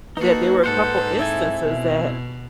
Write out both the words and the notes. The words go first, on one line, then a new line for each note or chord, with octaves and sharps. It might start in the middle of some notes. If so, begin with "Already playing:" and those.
That there were a couple instances that
A#3 D#4 F#4 A4 B4
G#2 D#4 A4 C5 F#5
C4 E4 E5 G#5
B2